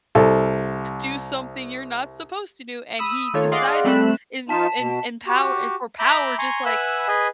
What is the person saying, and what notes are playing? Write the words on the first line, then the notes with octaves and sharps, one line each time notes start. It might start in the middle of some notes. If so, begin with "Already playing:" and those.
do something you're not supposed to do," and he decided in in in power and for power just like,
C2 A4
B5 D#6 E6
D#3 A3 A#3 F4 A4 C#5
G#4 D5 D#5 F5 F#5 C6
G3 A3 C4 B5 F#6 E7
F3 D#4 F4 A5 B6 E7
B2
F#4 G4
E5 A#5 B5 D6 G6
G#5 A#5 C6 C#6
B4 E5 F#5 G#5 B5 E6
G#4 B4 D#5 G#5